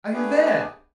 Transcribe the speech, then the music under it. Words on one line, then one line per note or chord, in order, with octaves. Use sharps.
Are you there?
A3 B3 D4 G4 G#4 B4